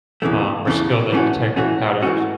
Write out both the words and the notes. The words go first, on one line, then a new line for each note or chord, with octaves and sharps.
Um, we're skilled at detecting patterns,
E2 C#3 E3 A3
E2 C#3 E3 A3
E3 A3 C#4 F#4
E3 A3 C#4 F#4
E3 A3 C#4 F#4